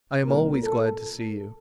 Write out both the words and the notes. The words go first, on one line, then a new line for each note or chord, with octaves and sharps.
"I am always glad to see you."
C2 A#2 A#4
A4